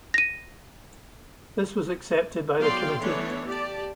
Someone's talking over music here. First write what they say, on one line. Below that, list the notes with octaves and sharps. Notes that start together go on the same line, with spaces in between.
This was accepted by the committee.
A#6 D#7
F#3 B3 D5 F5 G5 C6
E3 A3 B3 D4 C#5
G4 D5 A5